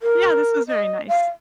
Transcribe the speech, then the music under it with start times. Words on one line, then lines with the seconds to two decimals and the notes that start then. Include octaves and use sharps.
Yeah, this was very nice.
0.02 A#4
0.68 D#5
1.08 F5